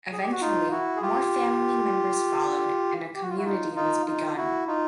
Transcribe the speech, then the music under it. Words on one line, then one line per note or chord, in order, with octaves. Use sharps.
Eventually, more family members followed and a community was begun.
G#4
G4
F#4
D#4 F4
E4 F#4
G#4
F4 G4
G4
F#4
F4
E4 F#4
D#4 F4
D#4 F4
D#4 F4
E4 F#4
D#4 F4